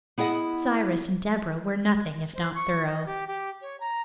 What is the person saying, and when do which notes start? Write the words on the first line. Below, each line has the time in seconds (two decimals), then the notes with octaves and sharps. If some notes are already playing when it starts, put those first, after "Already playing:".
Cyrus and Deborah were nothing if not thorough.
0.18 B3 E4 G#4 D#5 F#5
2.34 C5
2.55 C#6
2.86 D#5
3.06 G4
3.27 G4
3.62 C#5
3.80 A#5